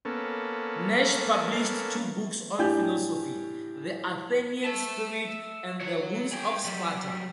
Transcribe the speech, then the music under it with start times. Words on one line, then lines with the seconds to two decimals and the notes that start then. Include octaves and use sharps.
Nash published two books on philosophy, "The Athenian Spirit" and "The Wounds of Sparta".
0.05 A#3 B3 C#4 A4
2.59 A2 D4 G4 D5 G#5 G6
4.64 E5 A5
5.80 F#3 C#5
6.31 G#4 G5
6.64 F#3 G3